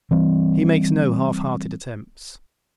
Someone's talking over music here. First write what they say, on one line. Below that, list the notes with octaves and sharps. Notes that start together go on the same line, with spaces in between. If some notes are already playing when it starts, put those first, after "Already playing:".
He makes no half-hearted attempts.
E3 G3 C4